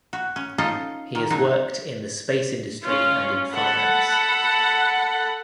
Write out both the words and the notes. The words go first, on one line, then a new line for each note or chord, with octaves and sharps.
He has worked in the space industry and in finance.
F#4
C#4
C#4 D#4 F4 A4 D#5
D#3
D3 F#3 G#3 D#4
C#4 F4
A4 F#5 B5